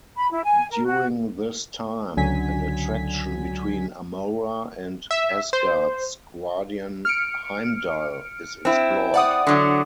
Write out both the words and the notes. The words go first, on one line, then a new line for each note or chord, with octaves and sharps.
During this time, an attraction between Amora and Asgard's guardian Heimdall is explored.
B5
E4
G#5
A#4
F#4
C#2 D3 F#3 G#5 B6
E5
C5
F6 C#7 D7
C4 E4
D5 F#5 D#6
D3 F#3